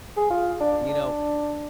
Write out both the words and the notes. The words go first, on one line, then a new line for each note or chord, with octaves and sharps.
you know,
G#4
F4
D4
D4